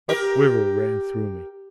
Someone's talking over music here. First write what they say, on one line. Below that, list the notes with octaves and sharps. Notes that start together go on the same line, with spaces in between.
A quiver ran through me.
G4 A#4